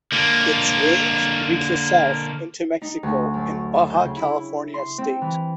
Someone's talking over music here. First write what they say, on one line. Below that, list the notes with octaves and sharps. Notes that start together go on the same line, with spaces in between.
Its range reaches south into Mexico in Baja California state.
D3 A#3
D#4
D2
F#2
E5
G6
C#3
E4
C6
C4
E3